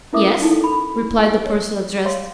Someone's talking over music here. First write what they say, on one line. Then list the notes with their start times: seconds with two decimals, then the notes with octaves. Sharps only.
"Yes," replied the person addressed.
0.13 C#4 E4 A#4 E5 D6 D#6
0.42 D#4 E4 A4
0.61 A4 B5
1.19 G#5
1.45 C#5
2.05 C#5 F5 C6